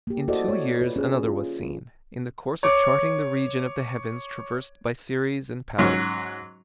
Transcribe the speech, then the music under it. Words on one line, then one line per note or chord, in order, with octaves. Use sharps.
In two years another was seen, in the course of charting the region of the heavens traversed by Ceres and Pallas.
A#3 G4
E4 F#4 A4 C5 D5 D#5
C#5
F4 B4
C#4 G#4
F4
C#5 D6
G#2 F#3 C#4